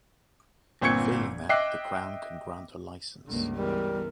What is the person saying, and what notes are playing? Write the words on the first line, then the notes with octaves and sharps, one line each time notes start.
Failing that, the Crown can grant a licence.
G1 A#2 C4 C#6 G#6 C#7
D#5 E5 G5 D6 F#6 C7
C#2 G2 D3 A#3
E3 G3 G#3 B3 A#4